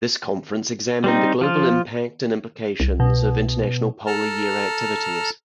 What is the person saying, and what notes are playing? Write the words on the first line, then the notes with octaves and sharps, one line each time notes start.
This conference examined the global impact and implications of International Polar Year activities.
G3 C4 D#4
F3 F4
C2
B2
A4 A5 A#5 F6